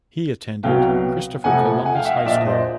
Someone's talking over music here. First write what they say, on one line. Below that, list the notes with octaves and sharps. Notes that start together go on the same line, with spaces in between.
He attended Christopher Columbus High School.
C2 B2 F#3 B3 F5 G5
F2 C3 F3 A3 F#5 G#5
F#5 G#5
F5 G5
E5 F#5
D#5 F5
A#1 A#2 F3 D5 E5
D#5
C5 D5